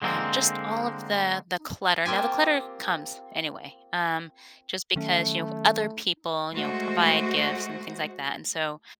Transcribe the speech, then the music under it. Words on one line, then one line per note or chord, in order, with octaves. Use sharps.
um just all of the the clutter, now the clutter comes anyway, um, just because, you know, other people, you know, provide gifts and things like that, and so,
D3 G#3 A#3 C4
A#3 C4 F4 G4 G#5
D#3 F#3 A3 C#4
G#3 A3 F#4 C5